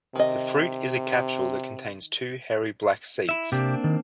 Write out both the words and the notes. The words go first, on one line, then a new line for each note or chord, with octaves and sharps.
The fruit is a capsule that contains two hairy black seeds.
C3 D#3 D#5
E4 E5
C3 A#3 C4 D4 G4
D#3